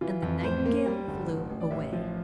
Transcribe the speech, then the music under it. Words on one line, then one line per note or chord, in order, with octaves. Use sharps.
And the Nightingale flew away.
E3 F4
F2
A2 C5
A#3
G3
G1
A1
A1
D5
A1 E5
F3